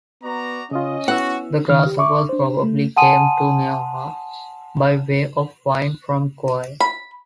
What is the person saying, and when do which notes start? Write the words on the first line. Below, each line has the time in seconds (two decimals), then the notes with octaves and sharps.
The grasshoppers probably came to Nihoa by way of wind from Kauai.
0.23 B3 F#4 D5 A#5
0.71 C#3 C#4 F4 D#5
1.08 B3 E4 F#4 F#5 E6
1.70 D#3 F6
1.86 G4
1.98 E5 C#6 D6
2.29 D4 C5
2.63 A3
2.97 F#5 G#5 A5 C6 D#6 D#7
6.80 B5